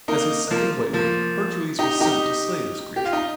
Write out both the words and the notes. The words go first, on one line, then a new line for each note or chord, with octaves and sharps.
As his second labor, Hercules was sent to slay this creature.
A#3 D#4
F3 A#3
F3 A#3
D#4 G4
D#4 G4
G4
F4
D#4